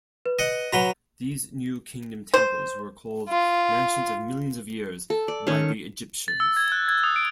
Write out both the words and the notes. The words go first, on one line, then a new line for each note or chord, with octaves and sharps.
These New Kingdom temples were called "mansions of millions of years" by the Egyptians.
B4
D#5 F#5
F#3 F#4 B4 F#5 A#5 G7
C5
F4
A4
D5
D#3 C#4 C#5
A6
E6
G#6
F#6
G#6
D#6
D7